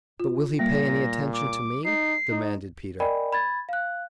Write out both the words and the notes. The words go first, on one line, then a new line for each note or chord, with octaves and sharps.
"But will he pay any attention to me?" demanded Peter.
F4
A#2 G3 A#3 A#6
D6
D#4 C7
D#4
A#4 D5 D#5 G5 G#5 B5
B5 G#6 A6
F5 F#6